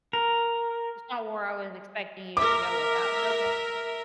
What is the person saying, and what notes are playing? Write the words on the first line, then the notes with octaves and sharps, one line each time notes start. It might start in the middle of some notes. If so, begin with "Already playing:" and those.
It's not where I was expecting you to go with that, but okay.
A#4
A#4 E5 D6